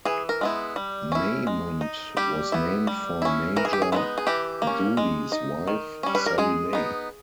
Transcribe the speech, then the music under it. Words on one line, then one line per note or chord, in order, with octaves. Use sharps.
Maymont was named for Major Dooley's wife, Sallie May.
E3 G#4
A#4
G#3 B3 E4
G3
C#4 E4
G#3
D#4
G3 G4
B3 E4
G3
C#4 E4
E3 A#4
G#4
G4
G#4
G#3 B3 D#4 E4
G#4
E3 G4
A#3
C#4
G#3
D#4
D#3
G3 C#4
B4
A#4
G#3 G#4
B3 D#4